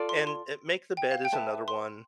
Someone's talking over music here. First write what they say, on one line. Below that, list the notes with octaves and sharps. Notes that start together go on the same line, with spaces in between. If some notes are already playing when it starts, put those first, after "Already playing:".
And, eh, make the bed is another one,
Already playing: F4 A4 D5
C6
C6
G5
F5
G5
B4 E5 A5
C6